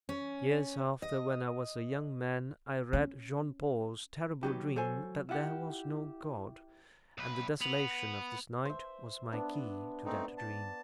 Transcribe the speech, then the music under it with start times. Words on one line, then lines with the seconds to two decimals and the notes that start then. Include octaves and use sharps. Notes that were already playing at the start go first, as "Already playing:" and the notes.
Years after, when I was a young man, I read Jean Paul's terrible dream that there was no God, and the desolation of this night was my key to that dream.
0.09 C#4
1.02 D#5
2.93 C#4
4.43 D#2 F#3 D#4 F#4 G4 B4
4.76 F#3 A4 C5 G#5
5.29 E4 F4 G4 F#5
7.18 B1 B4
7.61 B3 F7 F#7
8.65 C5 E5
9.32 B3 D4
10.05 A3 C4 D#4
10.38 A5